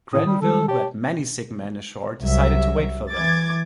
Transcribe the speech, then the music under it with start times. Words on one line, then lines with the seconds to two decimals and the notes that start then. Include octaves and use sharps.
Grenville who had many sick men ashore decided to wait for them.
0.13 A2 D#3 D#6
0.27 G3
0.42 D#3 G3 G#3 A4
0.68 G4 C#5 A5
2.21 C2 F#3 E5
3.14 E3 D6 G#6 A6